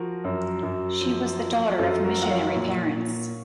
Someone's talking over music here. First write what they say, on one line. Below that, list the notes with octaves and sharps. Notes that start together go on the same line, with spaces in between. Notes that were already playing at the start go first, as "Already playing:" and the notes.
She was the daughter of missionary parents.
Already playing: F3 F#4 A#4
F#2
F#2
F3
F3
F#2 F4 A4
F#4 A#4
F3 F#5
C#5 F5
A#2
A#2